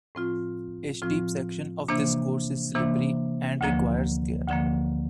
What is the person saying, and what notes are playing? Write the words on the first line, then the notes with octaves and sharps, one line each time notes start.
A steep section of this course is slippery and requires care.
A2 F3 C4 F4
A2 F3 C4 F4
C3 E3 A#3 D4
C3 E3 A#3 D4
D2 D3 F3 A#3
D2 D3 F3 A#3